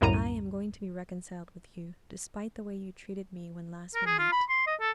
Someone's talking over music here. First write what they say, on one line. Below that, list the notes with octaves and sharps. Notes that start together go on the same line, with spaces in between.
I am going to be reconciled with you, despite the way you treated me when last we met.
G1 C2 F#2 A2 A#5 D#7
A#4
G#4
F4
B5
C6
D#5
A4